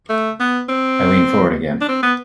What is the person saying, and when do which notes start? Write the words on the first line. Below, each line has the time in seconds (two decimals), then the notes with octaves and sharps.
I leaned forward again.
0.09 A3
0.40 B3
0.69 C4
1.81 D4
1.88 C4
2.03 B3